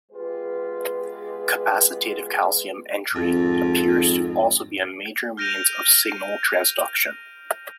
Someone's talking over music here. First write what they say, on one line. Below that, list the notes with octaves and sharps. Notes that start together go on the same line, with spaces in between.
Capacitative calcium entry appears to also be a major means of signal transduction.
G#3 B3 F4 G4 G#4 B4
F2 G#2
F6 G6 A#6 D7 D#7 F7